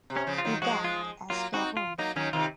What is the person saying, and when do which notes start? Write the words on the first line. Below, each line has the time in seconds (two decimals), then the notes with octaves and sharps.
He died at Stockholm.
0.10 C3
0.16 C#4
0.27 C#3 F3
0.38 F4
0.45 D#3 F#3
0.62 F3 G#3 F#4
0.85 F4
1.30 F#3 A#3 F4
1.53 C4 D#4 F#4
1.77 F4
1.98 F#3 A#3 D#4
2.16 D#3 F#3 C#4
2.33 C3 D#3 F4